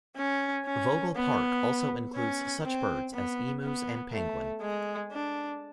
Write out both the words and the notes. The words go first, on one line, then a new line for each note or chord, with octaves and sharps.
Vogel Park also includes such birds as Emus and Penguin.
C#4
C#4
B3
C#4
C4
B3
B3
A3
G#3
D4